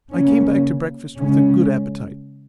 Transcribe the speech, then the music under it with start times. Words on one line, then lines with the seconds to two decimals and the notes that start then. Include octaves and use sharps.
I came back to breakfast with a good appetite.
0.14 C#3 A#3 C#4
1.17 C#3 G#3 C#4